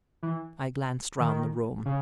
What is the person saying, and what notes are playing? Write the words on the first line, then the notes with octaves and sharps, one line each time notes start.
I glanced round the room.
E3
D#3
C#3